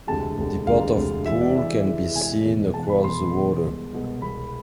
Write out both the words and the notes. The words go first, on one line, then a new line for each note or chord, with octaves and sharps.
The Port of Poole can be seen across the water.
E1 D2 C3 G#3 A5
E1 D2 C3 G#3
E1 D2 C3 G#3 F5
E1 D2 C3 G#3
E2 C3 E3 G#3 E5
D5
E2 C3 E3 G#3 E5
E2 C3 E3 G#3
E2 C3 E3 G#3 G#5
E2 B2 G#3
E2 B2 G#3 A5
B5
E2 B2 G#3 C6
E2 B2 G#3
C2 B2 G#3
C2 B2 G#3
C2 B2 G#3 B5